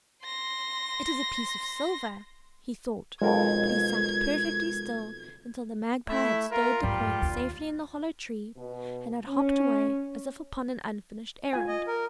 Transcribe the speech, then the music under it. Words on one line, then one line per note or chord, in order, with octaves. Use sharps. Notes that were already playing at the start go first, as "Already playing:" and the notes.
"It is a piece of silver!" he thought, but he sat perfectly still until the Magpie had stowed the coin safely in the hollow tree and had hopped away as if upon an unfinished errand.
C6 A#6
B1 F2 G#3 F4 A#4 G#6
A3 E4 E5
F4 A#4
F2 G#2 G3
D#2
B2
C#4
F4 G#5
D#5
A#4